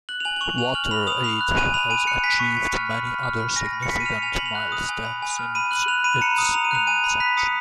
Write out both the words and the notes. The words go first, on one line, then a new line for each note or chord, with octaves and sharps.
WaterAid has achieved many other significant milestones since its inception.
F#6 F#7
F7
G#5 F#7
F#7
C#6 F7
G#5 F7
F6 F#7
B5 F7
D#6 F7
B5 F7
F#6
G#5 D#7
B5 F7
G#5 D#7
F#6 C#7
G#5 B6
C#6
G#5
F6
B5
F6
F6
B5
G#5 A#6
B5
C#7
G#5 B6
D#7
F6 F7
G#5 F7
B5 F#7
F7
F#6
D#6
G#5
B5
G#5
F6
B5 D#7
F#6 F#7
F#6 F7
B5 D#7
A#5 C#7
D#6
A#5 F7
D#7
F#6 F7
G#5 D#7
B5
F#6 B6
D#6 C#7